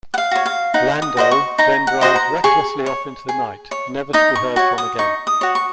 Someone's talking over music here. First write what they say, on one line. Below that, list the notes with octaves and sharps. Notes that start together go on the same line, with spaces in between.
"Lando" then drives recklessly off into the night, never to be heard from again.
F#5
F5
F#4 C#5
F5
D#4 F#5
D#6
F#4 C5 D#5
C#6
D#4 A#5
F#5
F#4 C5 D#5
A#5
G#4 C#6
C#5
G#4
C#5
D#4 D#6
C#6
F#4 C#5 C#6
D#6
D#4 C#6
D#6
F#4 C#5
C#6